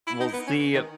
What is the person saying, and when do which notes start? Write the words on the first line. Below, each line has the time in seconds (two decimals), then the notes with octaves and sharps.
We'll see a
0.07 E4
0.21 D#4
0.34 B3
0.47 C#4
0.74 D#3